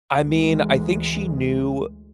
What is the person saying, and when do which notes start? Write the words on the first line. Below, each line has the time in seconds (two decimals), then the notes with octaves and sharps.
I mean, I think she knew
0.16 D2 E3 G#3